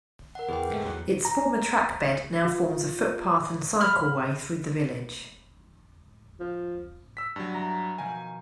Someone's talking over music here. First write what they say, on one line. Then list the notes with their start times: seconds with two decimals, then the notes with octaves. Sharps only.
Its former trackbed now forms a footpath and cycleway through the village.
0.35 A#4 F#5
0.49 E2 G#4 B4 G5
0.70 G#2 A3
0.83 E2 F#3 F#5
1.25 A#5
2.45 F4
3.80 B5 F6
6.40 F3
7.17 E6 B6
7.36 G2 F#3
7.53 E3 A#5
7.98 B2 D#3 F3 G#5